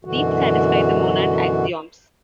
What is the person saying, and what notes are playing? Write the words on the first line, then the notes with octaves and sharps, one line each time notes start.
These satisfy the monad axioms.
F#2 B2 D3 E3 F#4